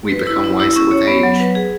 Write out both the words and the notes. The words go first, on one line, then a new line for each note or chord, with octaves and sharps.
We become wiser with age.
B4
E4
E4
E4
C#4
C#5
B3
F#3
B4
G#4